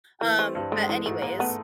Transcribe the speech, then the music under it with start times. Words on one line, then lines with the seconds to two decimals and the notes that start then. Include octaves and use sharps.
um, but, anyways
0.21 E3 A#3
0.39 A3 C4
0.55 G2
0.72 G#3 A3
0.89 E3 A3
1.06 G#2 A3
1.22 G#2 A#3
1.39 A3 B3